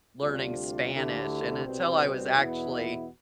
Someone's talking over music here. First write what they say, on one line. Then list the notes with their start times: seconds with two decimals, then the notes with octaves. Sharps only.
learning Spanish, and until I was actually
0.22 D2 C3 G3 D4 F4
0.94 D2 D3 A3 E4 G4
1.65 C2 B2 G3 C4
2.35 E2 B2 B3 E4